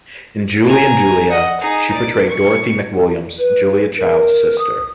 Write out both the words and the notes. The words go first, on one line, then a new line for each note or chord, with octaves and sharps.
In "Julie and Julia," she portrayed Dorothy McWilliams, Julia Child's sister.
G#5 A#5
D#5 F#5
D#4 G#4
D5
C#6
B4
A#4
D#6